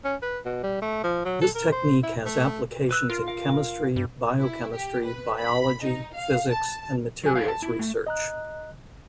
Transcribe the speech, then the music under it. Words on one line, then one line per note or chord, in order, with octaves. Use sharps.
This technique has applications in chemistry, biochemistry, biology, physics and materials research.
C#4
B4
B2
G3
A3
F3
F#3
A4
A#4
C5
E4
A3
B4 E6 F#6
F4 A#4
A#4 F5
G2
E4
G4
B4
B5
D#4
F5
A5
F#3 G#5
F2 A4 C#5 F5
A5
E4
A3
D#5 A#5 F#6